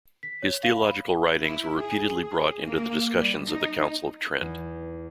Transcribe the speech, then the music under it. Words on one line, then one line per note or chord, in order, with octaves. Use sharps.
His theological writings were repeatedly brought into the discussions of the Council of Trent.
B6
C#5
F5
B5
E4
G#4
G#4
A#3
G3
D#4
E2